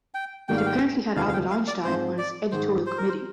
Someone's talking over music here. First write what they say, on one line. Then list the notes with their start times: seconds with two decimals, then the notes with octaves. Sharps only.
It apparently had Albert Einstein on its editorial committee.
0.14 G5
0.48 G#2 D#3 G3 A#3 G5
0.57 F5
0.66 G5
1.16 F1 D#2 D3 F3 F5
1.29 F5
1.33 G5
1.50 F5
1.68 D5
1.84 G#2 F3 C4 F4 C5
2.18 D5
2.52 G#2 D#3 G#3 C5
2.86 C5
2.98 A#4
3.08 C5